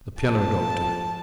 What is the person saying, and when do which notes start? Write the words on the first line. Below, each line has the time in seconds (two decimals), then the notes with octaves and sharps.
The "Piano Doctor."
0.22 F2 A5